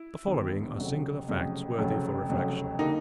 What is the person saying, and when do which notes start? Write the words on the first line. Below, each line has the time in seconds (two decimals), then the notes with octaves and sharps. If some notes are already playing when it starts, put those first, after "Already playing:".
The following are singular facts worthy for reflection.
Already playing: E4
0.27 D#2 D3 G3 B3
0.78 F1 F2 C#3 F#3 A3
1.28 F1 F2 C#3 F#3 A3
1.78 F1 F2 C#3 F#3 A3
2.29 F1 F2 C#3 F#3 A3
2.79 D3 G3 A#3 D#4